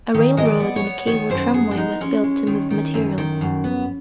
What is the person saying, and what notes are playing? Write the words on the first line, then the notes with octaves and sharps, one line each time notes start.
A railroad and cable tramway was built to move materials.
D#3
G#3 D#5
D5
B3
C#5
B3
D#3 C#5
F#2 C5
B3 G#4
D4
G#3 D#4
G#3 C#4
G#3
D#3
D#3
F#2
D#3
F#2
B3